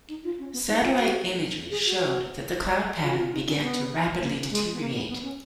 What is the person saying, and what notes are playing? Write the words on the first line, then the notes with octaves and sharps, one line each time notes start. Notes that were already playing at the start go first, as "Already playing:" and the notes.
Satellite imagery showed that the cloud pattern began to rapidly deteriorate.
D#4
F4
C#4
B3
D#4
F4
F#4
G#4
F#4
F4
F#4
F4
D#4
C#4
B3
A#3
G#3
B3
A#3
B3
B3
C#4